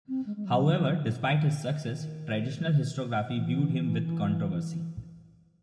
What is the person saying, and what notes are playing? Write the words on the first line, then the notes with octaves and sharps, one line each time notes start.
However, despite his success, traditional historiography viewed him with controversy.
C4
G#3
G#3
F#3
D#3
D#3
E3